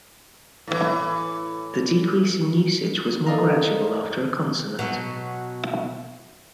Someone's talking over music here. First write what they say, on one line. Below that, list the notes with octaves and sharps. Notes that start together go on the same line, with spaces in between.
The decrease in usage was more gradual after a consonant.
A2 E3
A4 A#4 D5 D#5 F5 A#5
B2 F#3 B3